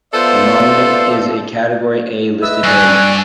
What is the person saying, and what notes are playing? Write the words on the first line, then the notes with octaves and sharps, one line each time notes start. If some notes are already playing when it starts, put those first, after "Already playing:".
The monument is a category A listed building.
B3 F4 A4 C5 D5 E5
B4 D#5 E5 E6
G2 D5 G#5 C#6 E6 F#6